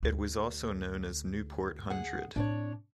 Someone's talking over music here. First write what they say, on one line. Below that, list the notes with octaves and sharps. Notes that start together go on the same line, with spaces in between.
It was also known as Newport hundred.
D2
G#4 F#5
A2 C4 D4 C#5